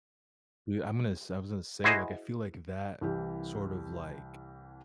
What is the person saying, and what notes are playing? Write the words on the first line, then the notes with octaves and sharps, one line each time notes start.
Yeah, I'm gonna s I was gonna say, like, I feel like that sort of, like,
E4 F#4 G#4 C5 D#5
C2 E3 G4